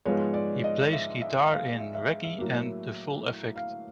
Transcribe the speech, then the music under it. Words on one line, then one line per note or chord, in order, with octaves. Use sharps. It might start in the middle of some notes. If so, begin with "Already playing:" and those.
He plays guitar in Reggie and the Full Effect.
G#2 F3 G#3 B3 C#5
D5
D#5
E5
E5
F5
E5
E5
E5
A2 F#3 A#3
F5